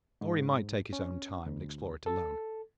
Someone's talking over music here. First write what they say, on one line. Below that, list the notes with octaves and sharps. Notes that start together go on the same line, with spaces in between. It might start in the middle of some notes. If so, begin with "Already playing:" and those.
Or he might take his own time, and explore it alone.
G#2
C#4
D2
A4